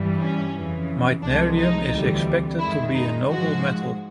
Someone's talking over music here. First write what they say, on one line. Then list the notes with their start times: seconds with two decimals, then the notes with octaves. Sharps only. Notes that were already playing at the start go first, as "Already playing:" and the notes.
Meitnerium is expected to be a noble metal.
Already playing: G2 E3 G3
0.20 C#4
0.54 F2 C#3 E3
1.22 C2 C3 F3 G#3 D4
1.57 D#4
1.91 D2 C3 E3 G3
2.59 F#2 D#3 G#3 E4
2.94 D#4
3.28 G#2 F3 G#3 F#4